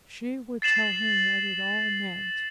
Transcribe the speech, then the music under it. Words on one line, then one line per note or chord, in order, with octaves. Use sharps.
She would tell him what it all meant.
A6 C7 E7 F#7